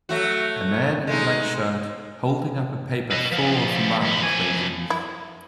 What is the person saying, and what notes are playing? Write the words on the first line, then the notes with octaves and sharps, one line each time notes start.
A man in a black shirt, holding up a paper full of math equations.
F#3 A3 F#4
G#3 A3 D#4
B4 D#5
F3 B3
D#2 B3
F3 G#5
E4